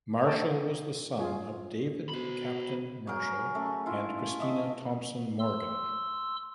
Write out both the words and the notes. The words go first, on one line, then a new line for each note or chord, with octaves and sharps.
Marshall was the son of David Captain Marshall and Christina Thomson Morgan.
A4 A#4 C#5 D#5 G5 A5
F4 G#4 C#5
B2 C5 B5
F#3 G#4 A#4
A3 C#4
E4 F4
D#5 E5
C6 E6